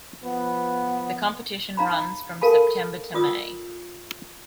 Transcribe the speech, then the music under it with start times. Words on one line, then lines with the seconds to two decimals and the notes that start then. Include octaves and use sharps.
The competition runs from September to May.
0.22 F3 B3
1.77 D#4 F5 A#5 B5
2.41 A4 A#4 F5 A5 B5
3.14 F4 D5 D#6 E6